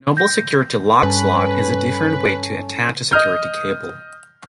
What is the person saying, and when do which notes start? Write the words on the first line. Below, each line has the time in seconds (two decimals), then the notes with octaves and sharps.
The Noble security lock slot is a different way to attach a security cable.
0.17 G6 A#6
1.03 G2 C#4 A4 B4 A#5
3.11 D#5 D#6 F6 G6